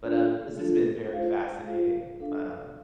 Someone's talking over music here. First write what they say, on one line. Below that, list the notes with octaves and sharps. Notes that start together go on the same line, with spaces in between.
But, um, this has been very fascinating. Um,
A3 D4 F4 A4
A3 D4 F4 A4
F4 C5 F5
F4 C5 F5
D4 A4 F5